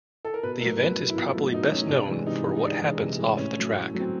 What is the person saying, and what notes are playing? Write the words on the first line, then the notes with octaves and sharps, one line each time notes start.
The event is probably best known for what happens off the track.
A4
A#4
B2 B4
F#3 A3 A#4
B2 B4
F#3 A3
E4
B2 F4
F#3 A3
B2 D#4
F#3 A3 C#4
C3 D4
E3 G#3
C3 D#4
E3 G#3
D#4
C3 D4
E3 G#3
C3
E3 G#3
A2 C#4
F#3 A3
A2
F#3 A3
C4